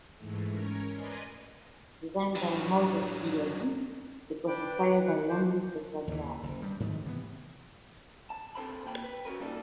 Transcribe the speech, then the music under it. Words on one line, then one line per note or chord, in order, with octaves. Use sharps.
Designed by Moses C. Edey, it was inspired by London's Crystal Palace.
G#2 E3 G#3 A3
C#4 A#4 C#5
A#4 B4 D5 D#5 G#5 C6
G2 F#3
D4 G5 B5 D6
B4
F#5 F#6
F#4 C5 D6
D#2 C#3 E3
F#1
G2 G3
G#2 D#3 F3 A3
C3 E3 A#3 B3
A5
C4 D4 A4 C5 A5 B5
A#2 G5 B5
B4
C#4 F#4 G#4 A#4 B4
G2 A#2 G3 D#4 A4